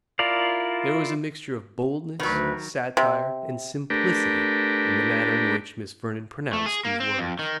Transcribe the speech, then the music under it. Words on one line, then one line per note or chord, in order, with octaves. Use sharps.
There was a mixture of boldness, satire, and simplicity in the manner in which Miss Vernon pronounced these words.
E4 F4 A#4 D5 F5
D2 D#3 F#3 B4
C3
A3 D4 G4 A#4 B4
A3
G#4
A#3
C4
F2
D#3